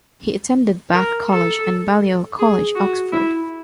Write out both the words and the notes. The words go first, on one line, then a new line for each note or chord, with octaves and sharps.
He attended Bath College and Balliol College, Oxford.
A#4
A4
G#4
F#4
E4